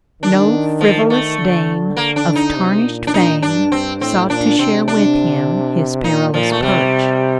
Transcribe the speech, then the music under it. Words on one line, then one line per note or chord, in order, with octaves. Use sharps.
No frivolous dame of tarnished fame sought to share with him his perilous perch.
D#3 D4
F3
A3
D3
A#3
D4
D#4
C3
A#2
D4
A#2 D#4
G2 D4
G2 C4
A2 C4
A#2 D4
C3 C4
D4
A#2 D#4
A#2 F3
A3
C3 G3